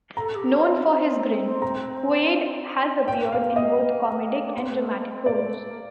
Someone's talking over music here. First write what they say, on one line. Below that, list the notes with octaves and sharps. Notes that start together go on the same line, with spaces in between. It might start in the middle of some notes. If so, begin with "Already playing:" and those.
Known for his grin, Quaid has appeared in both comedic and dramatic roles.
A4 A#5
G4
C4
D4
C4
A#5
A#3 G5
F5
D#5
A#3
A#3
D4
C4
A3
A#3
C4
A#3 D5
A3
A#3